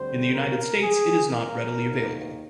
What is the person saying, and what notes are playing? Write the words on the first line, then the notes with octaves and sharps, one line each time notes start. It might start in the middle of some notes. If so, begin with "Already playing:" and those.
In the United States it is not readily available.
Already playing: D2 D3 G3 C4 C5
A#4
G#4
A#4
D#2 D#3 A#3